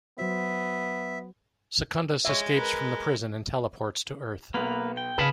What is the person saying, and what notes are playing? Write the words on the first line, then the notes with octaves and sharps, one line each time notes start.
Secundus escapes from the prison and teleports to Earth.
F#3 B3 F#4 C5 E5
G#3 C#5 E5
A#4 B4
B1 A#3 B3 A#4 B4
G5
C#3 G#4 B4 F5 A5 B5